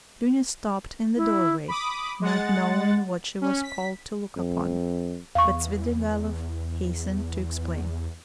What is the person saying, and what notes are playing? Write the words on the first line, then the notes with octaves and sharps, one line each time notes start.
Dounia stopped in the doorway, not knowing what she was called to look upon, but Svidrigailov hastened to explain.
E4
B5 D6 D#6
G#3 F#5 A6
C#4
B6
F2
E2 F5 C#6